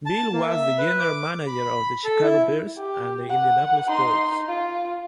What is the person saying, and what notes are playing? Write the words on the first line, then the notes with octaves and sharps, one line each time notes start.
Bill was the general manager of the Chicago Bears and the Indianapolis Colts.
A5
A#3
E5
B4
D6
B5
A4
E4
G4
F#5
D#4 C6
F4